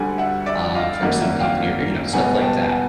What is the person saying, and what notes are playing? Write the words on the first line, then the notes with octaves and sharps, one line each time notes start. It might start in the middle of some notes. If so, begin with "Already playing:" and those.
um, from some company or, y you know, stuff like that.
Already playing: D2 D3 G3 F#5 G#5
E5 F#5
D5 E5
D#5 F5
F5
G#1 F#2 D#3 G3 A#3 E5 F#5
E5 F#5
F5 G5
C#2 B2 G3 B3 F#5 G#5
G5 A5
F#5 G#5